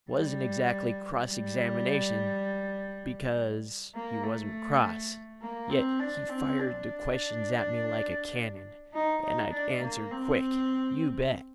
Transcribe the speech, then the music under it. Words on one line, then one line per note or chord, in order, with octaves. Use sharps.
It wasn't exactly cross-examination, because he wasn't cross, yet he fired the questions at me like a cannon, and I answered quick, you bet.
G3
G3
A#3
A3
A#3
C4
D4
C4
D4
D#4
D#4
D4
A#3
C4